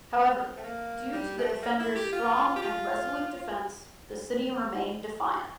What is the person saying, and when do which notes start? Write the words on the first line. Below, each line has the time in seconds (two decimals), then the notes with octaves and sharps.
However, due to the defenders' strong and resolute defense, the city remain defiant.
0.14 C4
0.57 A3
0.63 A#3
1.13 G3
1.38 A3
1.63 A#3
1.80 E4
1.96 G4
2.12 F4
2.56 G4
2.62 F4